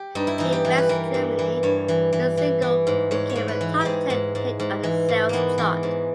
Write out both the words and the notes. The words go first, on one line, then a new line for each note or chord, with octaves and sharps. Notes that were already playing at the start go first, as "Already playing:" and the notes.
In West Germany, the single became a top ten hit on the sales chart.
Already playing: G4
G2 D#4
E4
E3 D#4
G4
E3
B4
E3 A#4
G2
E3
G2 C#5
E3
E3
E3
E3
G#2
G#2 C#5
C#5
G#2
B4
E3
G#2 G4 G#4
G#2
G#2
G#2
E3
G#2
E3 A#3 B3
E3
G#2